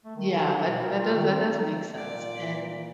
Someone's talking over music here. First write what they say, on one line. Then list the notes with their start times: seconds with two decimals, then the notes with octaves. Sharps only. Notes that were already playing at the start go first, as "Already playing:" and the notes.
Yeah, that that does that does make sense. And,
0.05 A3
0.17 D#3
0.34 A4
0.54 F#3
0.67 B2
0.83 A#4
0.96 F4
1.14 D#3
1.28 C4
1.42 D#4
1.95 A#2 D5